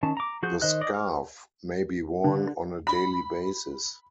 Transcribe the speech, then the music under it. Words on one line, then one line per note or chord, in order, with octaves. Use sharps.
The scarf may be worn on a daily basis.
D#3 C#4 A5
A#5 D6
F3 F#4 G#4 G6
D#3 C5 D#5 F#6
D5 D#5
F6
D3
B5